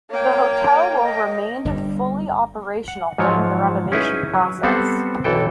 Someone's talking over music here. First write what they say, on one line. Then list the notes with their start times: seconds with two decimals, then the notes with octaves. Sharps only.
The hotel will remained fully operational during the renovation process.
0.10 A#3 C#5 G5
1.02 D#5
1.65 G1 G2 G3
2.88 F#5
3.18 G#2 F3 F#3 C#5
3.92 C#4 D#4 E4 G#4 B4 E5
4.34 F#3
4.63 G3 B3 C4 A4 C5 F#5
5.24 B1 E3 A4 G5